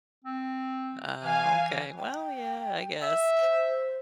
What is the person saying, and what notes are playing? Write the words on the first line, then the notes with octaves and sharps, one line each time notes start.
Ah, okay. Well, yeah, I guess.
C4
E3 F5 G#5
G5
E5
C5